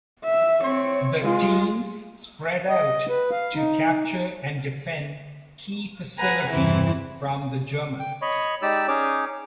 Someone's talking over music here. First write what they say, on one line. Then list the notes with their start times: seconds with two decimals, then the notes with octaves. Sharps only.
The teams spread out to capture and defend key facilities from the Germans.
0.25 E5
0.63 C4 C#5
1.22 G#3 F4
2.69 D#5
3.09 B4
3.31 F5
3.55 D#4
6.18 B4 F#5 G#5 A#5
6.50 E2 G2 E3 C4 E4
7.99 G5
8.22 C#5 D#5 B5 C#6
8.62 G#3 D#4 G4 D5 E6
8.88 C#4 D#4 G#4 C#5 D6